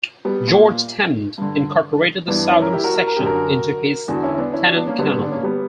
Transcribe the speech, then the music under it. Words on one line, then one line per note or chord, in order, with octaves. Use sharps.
George Tennant incorporated the southern section into his Tennant Canal.
G3 B3
A#2
G2 D3
G2 E3 B3 D4
C#4 E4
A#4
E4 G4
F#4 A#4
F#4 A#4
A#4
F#2 D3 G4
F#4 A#4
E2 D3 D4 F#4
C#4 E4
E4
B3 D4
C#4 E4
D4 F#4
B3 D4
A#3 C#4
G2 D3 G3 B3
G3 B3
B3 D4
A#3 C#4
G3 B3